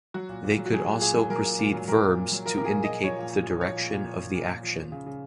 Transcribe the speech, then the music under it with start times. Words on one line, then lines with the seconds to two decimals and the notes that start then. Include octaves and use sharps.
They could also precede verbs to indicate the direction of the action.
0.14 F#3 F#4
0.29 A#2
0.43 A#2
0.58 F#3
0.66 F#4
0.72 F#3 G#4
0.86 A#2
1.01 A#2 G#4
1.16 F#3
1.30 F#3 A#4
1.44 A#2
1.59 A#2
1.73 F#3
1.88 F#3 A#4
2.03 A#2
2.17 A#2
2.32 F#3
2.46 F3 A#4
2.57 A#4
2.60 A#2 G#4
2.75 A#2
2.84 D#5
2.89 F3
3.03 F3 C#5
3.18 A#2
3.32 A#2
3.47 F3
3.61 F3 C#5
3.76 A#2
3.91 A#2
4.05 F3
4.19 F3
4.34 A#2
4.49 A#2
4.63 F3
4.77 F3
4.92 C#3
5.06 C#3